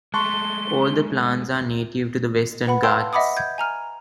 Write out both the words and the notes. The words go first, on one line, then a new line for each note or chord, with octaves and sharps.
All the plants are native to the Western Ghats.
G#3 A3 A5 C6 C#6 F#6 G7
B4 F#5 B5
F5 G5 A5 C6 E6
D#5 E5 F#5 B5 D6 D#6
G6 G#6
G#5 A#5 F6